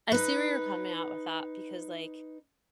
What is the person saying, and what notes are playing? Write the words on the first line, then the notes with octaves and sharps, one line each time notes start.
I see where you're coming at with that because like
D#4 B4